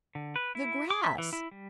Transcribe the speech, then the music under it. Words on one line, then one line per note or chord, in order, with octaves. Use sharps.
"The grass."
D3
B4
E4
D6
E5
E3
E4
G3